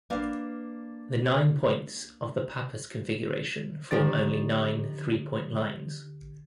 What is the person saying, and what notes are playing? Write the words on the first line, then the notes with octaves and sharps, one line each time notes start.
The nine points of the Pappus configuration form only nine three-point lines.
A#3 D4 B4 D5 F5
D3 D#3 F3 G4 D5 A6